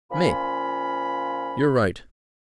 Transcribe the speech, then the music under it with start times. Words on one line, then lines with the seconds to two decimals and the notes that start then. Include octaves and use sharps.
ME: You're right.
0.11 A#2 F3 C#4 B5